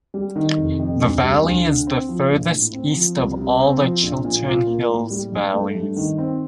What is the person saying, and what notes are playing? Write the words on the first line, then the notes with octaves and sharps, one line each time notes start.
The Valley is the furthest east of all the Chiltern Hills valleys.
G3
D#3
F1
F2
D2
G3
D2
D3
C4
F3
A#1
A2
C4
F3
C2
C3
C4
F3
A#1
A#2
F4
A#3
A2
G3
G2
A3
G2
D#3
C4